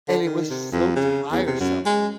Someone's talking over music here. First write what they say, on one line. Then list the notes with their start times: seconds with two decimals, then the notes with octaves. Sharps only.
And it was so tiresome,
0.09 D3
0.26 D#3
0.50 C3
0.72 F2
0.96 C#3
1.32 E2
1.47 C3
1.60 F#2
1.86 G#3